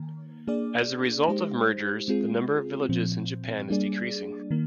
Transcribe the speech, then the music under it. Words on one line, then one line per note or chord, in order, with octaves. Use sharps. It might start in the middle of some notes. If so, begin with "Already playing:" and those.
As a result of mergers, the number of villages in Japan is decreasing.
Already playing: D#3 A#3
A#3 D4 G#4 D5
G#3 D#4 G4 C5
G#3 C4 F4 G#4
A#2 F3 C4
G3 A#3 D4 G#4 D5
D#3 A#3